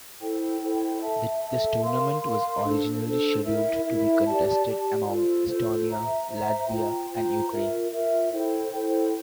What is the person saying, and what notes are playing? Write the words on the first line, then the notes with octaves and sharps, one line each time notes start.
This tournament was originally scheduled to be contested among Estonia, Latvia and Ukraine.
E4 A4 C5 G5
E4 A4 C5 G5
A4 E5 A5
A4 E5 A5
A#4 F5 C6
A#4 F5 C6
D4 A4 C5
D4 A4 C5
E4 A#4 E5
E4 A#4 E5
G4 D5 A5
G4 D5 A5
F4 A4 C5
F4 A4 C5
C5 E5 A#5
C5 E5 A#5
F4 C5 G5 A#5
F4 C5 G5 A#5
F4 A#4 E5
F4 A#4 E5
E4 A4 C5 G5
E4 A4 C5 G5